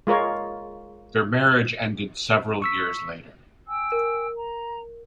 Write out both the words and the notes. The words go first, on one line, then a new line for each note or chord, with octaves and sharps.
Their marriage ended several years later.
G#3 F4 A#4 C#5
C#6 E6 B6
G5 G#5 E6
A#4
A#5